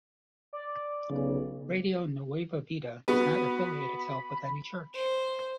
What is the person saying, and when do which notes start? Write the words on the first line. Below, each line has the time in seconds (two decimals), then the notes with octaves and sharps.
Radio Nueva Vida does not affiliate itself with any church.
0.53 D5
1.10 B1 C#3
3.08 B3 F#4 B4 B5
4.95 C5